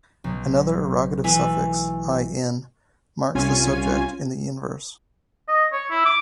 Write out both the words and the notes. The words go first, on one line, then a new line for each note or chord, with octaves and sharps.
Another ergative suffix "-in" marks the subject in the inverse.
B1
E3 A3 B4
C2 C#4 F4 G#5
D#5
C#5
E4
D6